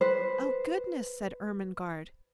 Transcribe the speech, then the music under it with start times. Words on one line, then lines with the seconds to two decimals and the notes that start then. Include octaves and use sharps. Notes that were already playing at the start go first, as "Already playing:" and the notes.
"Oh, goodness!" said Ermengarde.
0.01 B4 C5